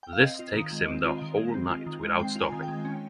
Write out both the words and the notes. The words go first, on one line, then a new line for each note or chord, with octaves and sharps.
This takes him the whole night without stopping.
G5
F5
C4 D#5
F4
D#3
G#3
C4
F4
D#3
G#3
C4
F4
D#3
G#3
C4 G5
F4
G#5
D#3
G5
G#3
C#4